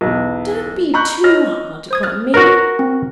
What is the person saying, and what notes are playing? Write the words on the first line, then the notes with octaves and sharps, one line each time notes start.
'Don't be too hard upon me.
B1 E2
A#5 B5 C#6 F#6 G6
C#5 D#5 F6 A#6
C5 D#6 G#6
F6 F#6 A6
F#4 A#4 B4 C#5
C4